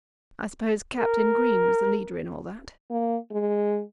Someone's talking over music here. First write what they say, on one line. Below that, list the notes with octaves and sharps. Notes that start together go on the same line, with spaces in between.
"I suppose Captain Green was the leader in all that?"
A#4
A#3
G#3